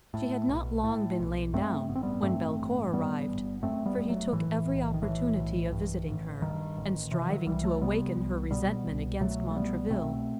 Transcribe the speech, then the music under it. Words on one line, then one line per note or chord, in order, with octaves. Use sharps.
She had not long been lain down, when Belcour arrived, for he took every opportunity of visiting her, and striving to awaken her resentment against Montraville.
A2
B1
A2
B1
G2 A3 C4
A1 B3
C4
G3 B3
G2 A3 C4
A1
F#2 G3 B3
G1
F#2 A3 C4
G3 B3
G1
F#3 A3
A2 E3
B1
D#3
A2 E3
B1
G2
A1
G2 D#3
A1
C3 E3
D#3 F#3
C2 E3 G3
F#3 A3
C3 G3 B3
C2
B2 G3 B3
C2
B2 F#3 A3
A3
C2 G3 B3
B2 A3 C4